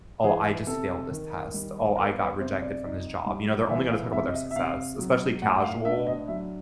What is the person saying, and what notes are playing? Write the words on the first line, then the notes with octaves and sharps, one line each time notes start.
"Oh, I just failed this test, oh, I got rejected from this job." You know? They're only gonna talk about their success, especially casual
E3 G#4
C3 A4
D#3
G3
B3 A#4
B4
C3 C5
D5
D#4
G3
E3 E5
F5
C3 E5
D#5
E5
E5
C3 F5
F#3
A2 F#5
F#5
F5
D4 E5
D#5
F#3 E5